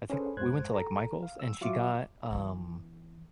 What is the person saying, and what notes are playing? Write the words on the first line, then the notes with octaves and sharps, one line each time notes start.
I think we went to, like, Michael's, and she got, um,
C#4 D4 G#4 A4 B4 C5
F2 G#2 C5 F#6 G#6
A4 A#5
F5
E6
F#3 F4 F#4 E5 C#6 D6
E3 B3